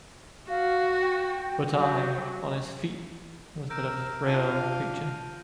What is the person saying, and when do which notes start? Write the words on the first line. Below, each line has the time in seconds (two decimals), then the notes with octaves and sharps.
But I. on his feet was but a frail creature.
0.48 F#4 F5
1.00 G5
1.73 F#3 G4
3.70 A#4 E6 G6 A#6 D7
4.26 D4 F4 F5 F6 D7 D#7